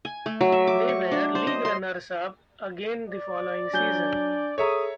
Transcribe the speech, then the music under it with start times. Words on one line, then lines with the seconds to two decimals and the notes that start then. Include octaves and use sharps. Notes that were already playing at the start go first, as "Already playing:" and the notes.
They were league runners-up again the following season.
0.05 G#5
0.26 A3
0.41 F#3
0.52 E5
0.67 D6
0.89 C#6
1.11 D4
1.35 C5
1.47 D#5
1.65 C6
3.09 D5
3.73 F#3 D4 G#5 G6 G7
4.58 G#4 A4 C#5 E5 A#5 D#6